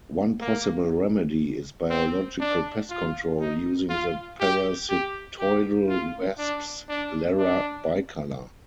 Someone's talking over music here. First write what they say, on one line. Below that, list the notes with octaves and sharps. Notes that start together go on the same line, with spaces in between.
One possible remedy is biological pest control using the parasitoidal wasps "Larra bicolor".
A#3
C4
D4
F4
D#4
F4
G4
G4
G4
F4
D4
D4
D4